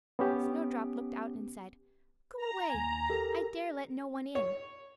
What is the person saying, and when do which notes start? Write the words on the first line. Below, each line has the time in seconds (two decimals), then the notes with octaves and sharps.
Snowdrop looked out and said, "Go away--I dare let no one in."
0.19 B3 C#4 G4
2.37 A#5
2.70 D#2 G#5
3.10 G4 A4 A#4
4.35 C#5